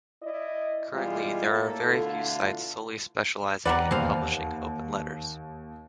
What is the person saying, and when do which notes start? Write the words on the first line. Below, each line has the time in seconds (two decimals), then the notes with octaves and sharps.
Currently there are very few sites solely specialising in publishing open letters.
0.22 E4 D5 D#5
0.93 B2 E3 G3 G#3 F4
1.48 A2 A#3 A4
1.86 B2 D3 A3 E4 F4
3.65 E2 G3 A#3 B4 D5 F#5 A#5
3.91 D#2 C4 C5 F5